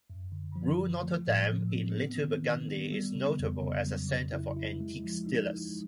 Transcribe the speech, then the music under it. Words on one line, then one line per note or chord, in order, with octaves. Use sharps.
Rue Notre-Dame in Little Burgundy is notable as a centre for antiques dealers.
F#2
D3
F3
F3
A3
A2
F3
C4
B3
D#3
D#3
B3
G3
C#3
F2
C#3
F#3
C#3
E4
E4
G#3
F3
D#4
G#3